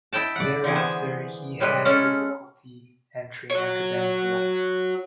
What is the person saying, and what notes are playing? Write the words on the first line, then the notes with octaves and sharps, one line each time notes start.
Thereafter he had difficulty entering academic life.
E4 D#5 G5 A5
D5 F#5
D3 E3 G#4
B3 C5 G#5
A2 G3 G#3 B4
G#3 C#4 G#4 A4 F5
F#4 C#5